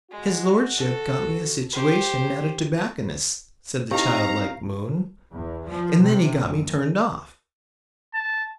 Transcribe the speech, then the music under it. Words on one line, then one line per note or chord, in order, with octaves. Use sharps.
"His lordship got me a situation at a tobacconist's," said the child-like Moon, "and then he got me turned off."
G#3 F#4
A4
G4 C5
C4 D#4 E4 G4 F5 A#5
E2
F3
C3
F#1
A5